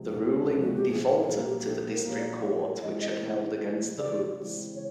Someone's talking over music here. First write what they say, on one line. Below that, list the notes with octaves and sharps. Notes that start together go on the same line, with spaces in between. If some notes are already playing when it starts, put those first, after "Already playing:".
The ruling defaulted to the District Court, which had held against the Hoods.
Already playing: C#2 C3 F3 G#3
C#2
C3 F3 G#3
F#4
G4
A#1 G#4
A#4
A#2 F#3 A#3 G#4
G4
A#1 A4
A#4
A#2 F#3 A#3 C#5
D5
A2 C#5
C#5
E3 G#3 C4 D#5
D#5
A2
E3 G#3 C4
C#3 D5
E3 G#3 C4
C#3 C#5